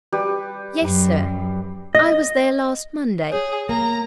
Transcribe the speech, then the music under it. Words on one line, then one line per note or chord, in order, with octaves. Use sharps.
"Yes, sir, I was there last Monday."
G3 G4 B4
F#2
D#5
G#4 C#5
A#3 A#5